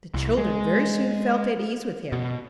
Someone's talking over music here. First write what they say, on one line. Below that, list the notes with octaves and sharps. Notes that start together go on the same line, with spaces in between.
The children very soon felt at ease with him.
C2
G#3
B2